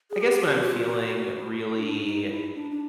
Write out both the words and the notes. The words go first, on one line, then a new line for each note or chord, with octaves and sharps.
I guess when I'm feeling really
G#4
G4
G4
F#4
F4
F#4
D4
D#4
E4
D4
D4